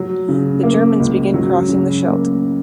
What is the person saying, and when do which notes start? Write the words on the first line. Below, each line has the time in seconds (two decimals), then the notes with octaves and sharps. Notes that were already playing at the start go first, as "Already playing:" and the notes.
The Germans begin crossing the Scheldt.
Already playing: F#3
0.29 C#3
0.63 A#3
0.99 C#2
1.34 F#3
1.69 C#3
2.05 A#3